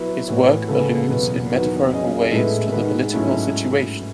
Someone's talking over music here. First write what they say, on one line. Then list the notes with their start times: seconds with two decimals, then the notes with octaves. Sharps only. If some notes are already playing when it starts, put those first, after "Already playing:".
His work alludes in metaphorical ways to the political situation.
Already playing: F#3 B3 E4
0.28 A2 E3 B3 F#4 C#5
0.68 C#3 G#3 B3 F#4 A4
1.09 E2 B2 F#3 B3
1.50 E2 D#3 F#3 B3 F#4
1.90 F#3 C#4 G#4 D#5
2.31 A2 G#3 B3 E4 A4
2.72 D#3 G#3 B3 F#4 B4
3.13 G#2 F#3 A3 C#4 E4